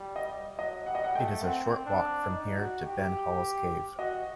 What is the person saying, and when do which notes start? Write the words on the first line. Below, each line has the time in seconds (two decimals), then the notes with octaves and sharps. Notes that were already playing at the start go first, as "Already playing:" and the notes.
It is a short walk from here to Ben Halls Cave.
Already playing: G3
0.16 D#5
0.58 F#3 D#5
0.86 G3 F#5
0.95 D#5
1.04 F#5
1.15 A3 G5
1.43 C4 F#5
1.86 D4
2.29 D#4
2.57 F#4
2.86 G4
3.98 F#4 D#5